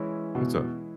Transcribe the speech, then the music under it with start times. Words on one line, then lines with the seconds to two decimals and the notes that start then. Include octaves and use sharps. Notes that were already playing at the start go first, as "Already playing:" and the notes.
What's up?
Already playing: E3 G#3 C#4 E4
0.35 B2